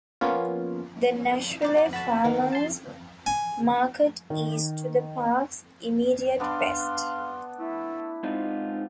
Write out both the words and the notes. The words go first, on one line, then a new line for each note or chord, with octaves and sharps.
The Nashville Farmers' Market is to the park's immediate west.
F3 A#3 B3 C#4 F4
D#4 D6
F#4 D5 D6
F#4 A4 A5 B5 C#6
D#3 B3 F#4 A#4 F5
A5 C6
G#5
D#3
B3 D4 F5 C6
A3 E4
G#2 C4 D#4 F4